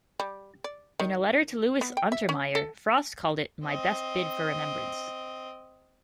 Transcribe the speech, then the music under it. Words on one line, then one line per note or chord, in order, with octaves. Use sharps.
In a letter to Louis Untermeyer, Frost called it "my best bid for remembrance".
G3
D5
D#3
B3
G5
E5
C#4
A4
C4 D#5